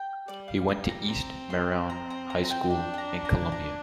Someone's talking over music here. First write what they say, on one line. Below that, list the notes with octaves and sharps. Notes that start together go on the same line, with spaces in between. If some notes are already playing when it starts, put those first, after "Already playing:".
He went to East Marion High School in Columbia.
Already playing: G5
G3 D5
F5
F5
A#5
C4 A#5
C6
A#5
A#5
A#5
A#5
G5
D4 G5
G5
A#5
A#5
A#5